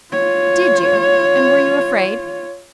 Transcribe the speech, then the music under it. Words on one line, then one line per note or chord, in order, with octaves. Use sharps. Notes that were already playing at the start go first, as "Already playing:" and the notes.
"Did you? and were you afraid?"
F4 C#5